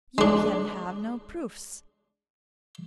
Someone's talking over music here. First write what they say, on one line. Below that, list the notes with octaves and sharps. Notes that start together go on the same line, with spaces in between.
You can have no proofs.
G#3 D4